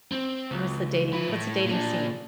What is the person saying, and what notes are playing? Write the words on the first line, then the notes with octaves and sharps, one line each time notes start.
what's the dating What's the dating scene
C4
C#2
F3 B4
A2
A#2 D4